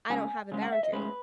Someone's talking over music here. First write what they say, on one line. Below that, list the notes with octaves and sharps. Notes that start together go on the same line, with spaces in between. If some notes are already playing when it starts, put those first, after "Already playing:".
I don't have a boundary.
C#3 G#3 C#4 G#5
C#3 G#3 C#4
F#5
E5
D#5
A2 G#3 C#4 B4